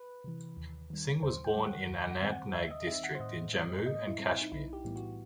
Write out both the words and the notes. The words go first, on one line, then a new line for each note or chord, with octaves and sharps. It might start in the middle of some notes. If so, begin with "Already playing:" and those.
Singh was born in Anantnag district in Jammu and Kashmir.
Already playing: B4
C3 E3
D#2
D#3 G3
D#2 C5
G5
D#3 G3
F#5
D#2
F#5
D#3 G3 C4
F#5
D#2 E5
D#5
D#3 G3 C4 E5
F#5
C5
A2 D#5
G3 C4 D#5
A2 D#5
E4
G3 C4
E4
D#4
B1 E4
G4
A2 E3 G3 B3
F#4